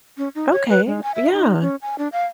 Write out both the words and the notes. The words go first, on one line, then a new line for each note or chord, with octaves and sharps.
Okay, yeah.
C#4
D#4
C#5
B4
G#3
G#5
E5
D#4
C#4
G#5
D4
F5